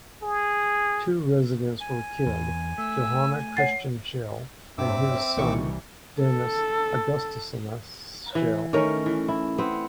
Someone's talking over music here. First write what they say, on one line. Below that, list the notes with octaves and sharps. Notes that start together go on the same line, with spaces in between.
Two residents were killed, Johann Christian Schell and his son, Denis Augustinius Schell.
G#4
G#5
E2
A3 E6
C#5 F#5 A6 C7
G2 C4 E5 D6 E6
C2 A#2 D#3 E3 G3 C#6
A4
E3
D#3 A3 C#4 A#4
E3
E4
B3 C4